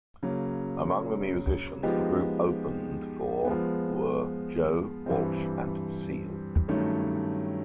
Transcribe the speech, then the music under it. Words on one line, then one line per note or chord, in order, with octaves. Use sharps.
Among the musicians the group opened for were Joe Walsh and Seal.
C#3 F#3 A#3
F3 G#3 B3 D#4 G4
F3 G#3 B3
G2 E3 G3 C4
G2 D#3 F#3 A3 C#4